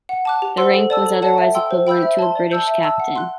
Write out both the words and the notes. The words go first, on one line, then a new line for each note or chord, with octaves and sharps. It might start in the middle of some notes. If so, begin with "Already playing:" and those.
The rank was otherwise equivalent to a British captain.
F#5
A5 D6 F#6
G4
C5 F#5 C6 E6
A4
D5 A5 E6
A4
D5 F#5 A5
E5
G5 C6 E6
C5
G5 B5 E6 G6
E5
A5 C6
D5
A5 E6 G6
E5
A5 E6
F#5
C6 F#6